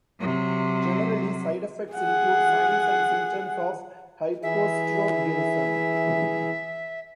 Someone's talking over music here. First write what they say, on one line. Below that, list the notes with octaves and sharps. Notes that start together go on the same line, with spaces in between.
Generally, side effects include signs and symptoms of hypoestrogenism.
C3 F#3
G#4 F#5
E3 E4 G#4 E5